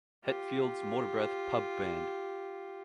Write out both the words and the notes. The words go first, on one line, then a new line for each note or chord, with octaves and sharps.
Hetfield's Motorbreath Pub Band.
F4 G4